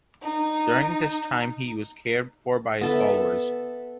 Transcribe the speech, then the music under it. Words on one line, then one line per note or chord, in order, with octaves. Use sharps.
During this time he was cared for by his followers.
D#4
B3 A4 E5